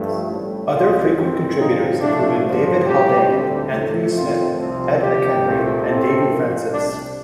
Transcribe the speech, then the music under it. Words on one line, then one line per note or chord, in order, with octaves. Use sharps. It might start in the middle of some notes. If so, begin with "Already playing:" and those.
Other frequent contributors included David Haldane, Anthony Smith, Ed McHenry and Davy Francis.
Already playing: G2 F3 A3
A1 A2 G3
C2 C3 F3 C4 F4
G2 D#3 A3 C4
G2 D3 F3 C4 D#4
A2 F3 A3 D4
A1 G2 D3 F3
A2 G3 C4 G4
D2 D3 G3 C4
A2 F3 A3
F2 D#3 A3 C4 F4
C2 C3 F3 C4
D2 C3 D#3 G4
C2 A#2 A3 C4
A2 A3 C4
A2 F3 A#3
C2 C3 G3 D4